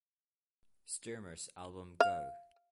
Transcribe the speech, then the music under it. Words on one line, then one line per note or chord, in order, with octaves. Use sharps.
Stuermer's album Go!
F5